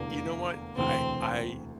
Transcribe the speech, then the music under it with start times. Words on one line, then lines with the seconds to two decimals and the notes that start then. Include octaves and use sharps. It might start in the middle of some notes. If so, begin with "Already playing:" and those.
You know what? I I i
Already playing: F1 E2 D3 A3 A#3
0.76 E1 D2 C3 E3 C4